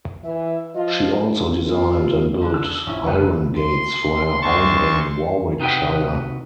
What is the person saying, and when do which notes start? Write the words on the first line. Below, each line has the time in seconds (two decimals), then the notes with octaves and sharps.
She also designed and built iron gates for her home in Warwickshire.
0.23 E3 E5
0.73 F3 F4 D#5
1.67 F4
2.41 D3 D4
2.54 E6
2.87 A#1 C#4 E4
3.07 F#1 D2 G2 G4 A4 B4
3.60 C6
4.42 D2 A5 C#6
5.59 C3 D#4 F#4 B4 G5